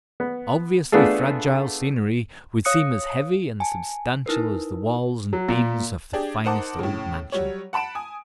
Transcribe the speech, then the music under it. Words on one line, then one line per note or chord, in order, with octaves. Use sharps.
Obviously fragile scenery would seem as heavy and substantial as the walls and beams of the finest old mansion.
B3
A3 B3 D4 F4 G#4 A4
C#5 F5 D#6 F#6 C#7
G#5 A5
D#4 E4 A#4 B4
F#3
A#2
D4 G4 G#4
D#4 A#4 C5 F#5 A5 D6
A2 C#3
F#3 G3 C#5
F#5 A5 B5 D7 E7
G#5 D#6